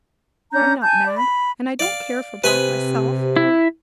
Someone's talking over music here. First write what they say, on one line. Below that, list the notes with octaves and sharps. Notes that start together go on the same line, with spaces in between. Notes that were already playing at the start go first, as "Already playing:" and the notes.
I'm not mad, and I don't care for black myself.
C#4 D4 A#5 G6
G#5 A5 G6
D5
B5
D5 F5
C3 B4 G#5 B5
E4